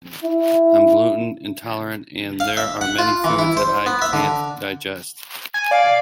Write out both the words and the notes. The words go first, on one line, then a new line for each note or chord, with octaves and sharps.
I'm gluten intolerant, and there are many foods that I can't digest.
E4
F5
E5
F#5
F4
E3
E4
C5
B3
E5
D3
G#5
D5 F5